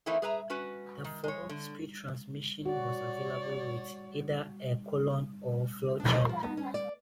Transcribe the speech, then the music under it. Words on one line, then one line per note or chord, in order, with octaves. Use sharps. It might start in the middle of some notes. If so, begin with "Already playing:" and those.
The four-speed transmission was available with either a column or floor change.
E3 A3 A#3 C4 D#4 E4
G#4 B4 E5 A#5
C#4 F#4 B4
D#3
G#3 C#5
D3
F#4 C#5 D5
D4
D#5
F3
B3
C#4
D5